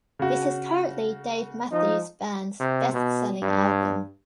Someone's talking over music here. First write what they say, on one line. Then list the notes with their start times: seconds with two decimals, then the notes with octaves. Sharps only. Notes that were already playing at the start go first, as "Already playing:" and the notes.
This is currently Dave Matthews Band's best-selling album.
0.19 C#3 F#4
1.71 F3 D#4
2.60 C3
2.93 B2
3.42 G2